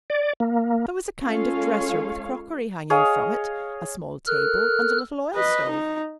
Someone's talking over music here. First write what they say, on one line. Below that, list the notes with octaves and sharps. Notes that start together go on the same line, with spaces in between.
There was a kind of dresser with crockery hanging from it, a small table and a little oil stove.
D5
A#3
G#3 C#4 F4 A4 C#5 F5
G#4 C#5 D#5 F5
A4 A#4 F6 F#6
B4 D#5
D#4